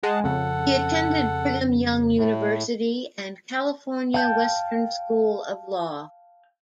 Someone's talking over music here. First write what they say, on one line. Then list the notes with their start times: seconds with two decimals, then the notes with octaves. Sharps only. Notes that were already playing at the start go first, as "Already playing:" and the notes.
He attended Brigham Young University and California Western School of Law.
0.03 G#3 F#5 A5
0.24 F2 C#3 A4 F#5
2.18 A2
4.14 F5 G5 A5 G6